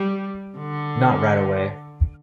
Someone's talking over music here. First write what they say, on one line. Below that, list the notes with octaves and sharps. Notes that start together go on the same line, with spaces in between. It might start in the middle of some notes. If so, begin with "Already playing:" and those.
Not right away.
Already playing: G3
D3